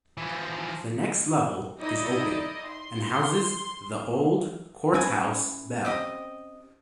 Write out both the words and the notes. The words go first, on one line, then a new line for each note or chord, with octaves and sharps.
The next level is open and houses the Old Courthouse bell.
E3 F3
D#4 E4 D5 D#5
C6
E3 C#4 G#5
C4 G4 D#5